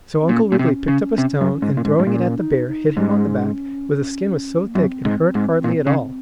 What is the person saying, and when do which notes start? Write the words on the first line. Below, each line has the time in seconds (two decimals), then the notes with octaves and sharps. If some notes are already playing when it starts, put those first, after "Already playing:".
So Uncle Wiggily picked up a stone, and throwing it at the bear, hit him on the back, where the skin was so thick it hurt hardly at all.
0.21 C4
0.29 A#2 D#4
0.34 C#4
0.52 A#2
0.59 C3
0.88 C#3
1.18 C3
1.41 F#2
1.62 G#2
1.77 A#2
1.85 G#2
1.99 G#2
2.07 A#2 C#4
2.38 D#4
2.67 D#4
2.96 G#2 C#4
4.67 A#3
4.75 F#2 C4
5.05 G#2
5.35 G#2
5.64 A#2
5.87 C#3